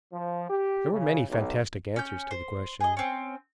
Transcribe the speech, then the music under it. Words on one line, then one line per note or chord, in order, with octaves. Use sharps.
There were many fantastic answers to the question.
F3
G4
C#3
B1
C#4 G6
C5
G#4 D#5
C4 C#4